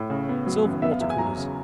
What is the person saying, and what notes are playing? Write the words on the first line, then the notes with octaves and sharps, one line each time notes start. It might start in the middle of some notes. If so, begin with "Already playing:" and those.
Silver water-coolers.
Already playing: A2
C#3
B3
F#3
F#2
B3 E5
F5
E2 E5
G#5
F#3 A#5
C#3